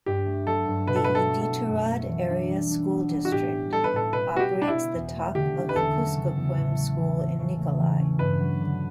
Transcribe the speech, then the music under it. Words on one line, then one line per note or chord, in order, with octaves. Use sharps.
The Iditarod Area School District operates the Top of the Kuskokwim School in Nikolai.
G2 G4
A3
F#3 A4
G2
B2 B4
A4
A3 B4
A4
F#3
A4
E4
F#2
A3
E3
D4
G3
D4
B3
G3
F#4
A2 G4
C#4
G3 A4
B4
A2 A4
B2 B4
B3 F#4
G4
G3
D4
E4
B2
E2
A3
D3 G4
C#4
B4
E2 A4
F#3
C#3
E2
A2
A3
E3
A2
C#3
A3
E3
C#4
G2 B4
F#3
D3